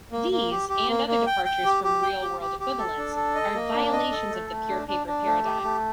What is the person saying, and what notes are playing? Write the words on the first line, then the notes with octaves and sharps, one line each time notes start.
These and other departures from real-world equivalents are violations of the pure paper paradigm.
A#3
A#3
G4
G4
A#3
A#3
G5
G5
G4
G4
G5
G4
G4
G4
A4
D4
A4
D#5
A#3
D4
D#5
A4
A3
A3
D4
D4
D4
A3
G4
A3